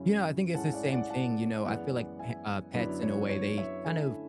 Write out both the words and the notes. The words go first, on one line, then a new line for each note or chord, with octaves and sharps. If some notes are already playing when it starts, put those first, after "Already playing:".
You know, I think it's the same thing, you know. I feel like p uh, pets in a way, they kind of,
Already playing: F#2 C#3 F#3 C#4 E4
A2 G#3 C#4 E4 F#5 A5
D5 F#5
D5 F#5
F#5 A5
F#2 E3 G#3 B3 D5 F#5
E5 G#5
F#2 D3 F#3 B3 E4 B4 D5
C#5
C#5
C#5 E5
D3 A3 C#4 E4 E5 G#5